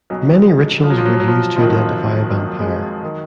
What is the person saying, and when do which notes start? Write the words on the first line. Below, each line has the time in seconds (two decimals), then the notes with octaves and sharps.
Many rituals were used to identify a vampire.
0.10 B1 B2 F#3
0.83 F3
0.90 F#3
0.98 F3
1.05 F#3
1.13 F3
1.20 F#3
1.28 F3
1.56 F#1 F2 D#3 F3
1.67 F#3
1.77 F3
2.29 F#3
2.60 G#3
2.66 F#3
3.03 D#3